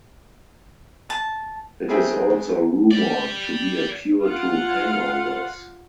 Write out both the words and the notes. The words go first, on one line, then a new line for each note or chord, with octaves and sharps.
It is also rumoured to be a cure to hangovers.
A5
F2 G#3 C4 G#4 E5 G5
G4 D5
F4 F5 F#5